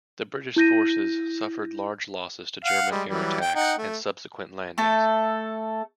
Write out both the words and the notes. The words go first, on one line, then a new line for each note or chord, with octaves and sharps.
The British forces suffered large losses to German air attacks and subsequent landings.
E4 G6 A#6 D#7
F5 F#5
G3 G#3
E3 F#3 G3
G5
D#4 F#5 G5
A3
A3 A4